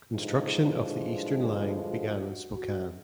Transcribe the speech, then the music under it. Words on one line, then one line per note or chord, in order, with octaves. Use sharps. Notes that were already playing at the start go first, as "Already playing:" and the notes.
Construction of the eastern line began in Spokane.
G2 D3 F3 G#3 D#4
E4
E4
F#4
F#4
F#4